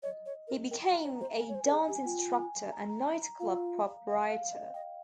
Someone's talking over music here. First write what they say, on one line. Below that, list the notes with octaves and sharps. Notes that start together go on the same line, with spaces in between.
He became a dance instructor and nightclub proprietor.
C#5 D#5
C#5
A#4
A#4 G5
A#5
C#5
C5 A#5
A#4 G#5
C#5
C5
A#4 G#5
G#4
G#5
G4
G#5
F4 G5
G#5
A#5
A#5
A#5
F4 F5
F5
F5
D#5
D#5 G5